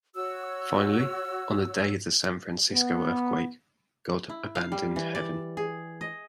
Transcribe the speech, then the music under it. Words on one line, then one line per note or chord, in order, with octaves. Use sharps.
Finally, on the day of the San Francisco earthquake, God abandoned Heaven.
F#4 C#5 E6
B3
E4
F5
G3
E3
D5
G#4
D#5